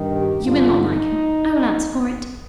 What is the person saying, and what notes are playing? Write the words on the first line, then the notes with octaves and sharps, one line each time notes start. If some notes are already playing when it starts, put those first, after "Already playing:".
"You will not like him, I will answer for it."
Already playing: G2 D#3
G4
G2 D3 F4
D#4